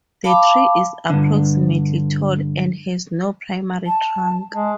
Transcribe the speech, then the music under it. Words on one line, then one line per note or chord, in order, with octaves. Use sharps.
The tree is approximately tall and has no primary trunk.
F5 A5 B5 D6
G2 D3
A5
G#3 A5